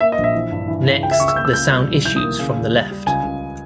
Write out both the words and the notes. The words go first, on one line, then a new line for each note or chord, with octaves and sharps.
Next the sound issues from the left.
A#3 E5
D#5
A#1
E5
E3
G2
E3
C#3
C#2 G5
E5
C#2 C#6
E6
A#3 G6
E6
C#2 G6
G3
B1
E3 G6
D#6
A#3
C#3
D#2
G3
G3
C#2 G#5
C#2